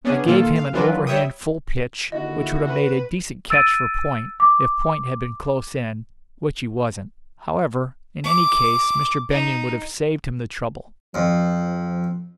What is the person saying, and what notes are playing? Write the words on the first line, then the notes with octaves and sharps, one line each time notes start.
I gave him an overhand full pitch which would have made a decent catch for point, if point had been close in, which he wasn't. However, in any case Mr. Benyon would have saved him the trouble.
B3 C#4 D4 G#4
A#2 D#3 A#3 F4 A4
F5
E3 F#3 D4 F4 A#4 B4
G3 C#5 E5 G5 D#6
D#2 D3 E4 F#4 D#5
B4
E6 A6 D7 D#7
D6
D6
D#4
F2 F3